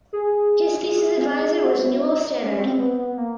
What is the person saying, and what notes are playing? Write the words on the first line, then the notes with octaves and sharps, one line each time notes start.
His thesis advisor was Newell Stannard.
G#4
G#4
F#4
E4
D#4
D#4
C#4
C4
B3
B3
A#3